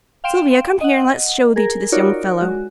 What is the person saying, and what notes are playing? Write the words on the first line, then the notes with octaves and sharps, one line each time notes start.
Sylvia, come here, an let's show thee to this young fellow!'
F5 G5 C6 D7 E7
D#5 F#5
G#4 A#4
D#4 F4 F#4 A#4 C#5 D5
G#3 F#4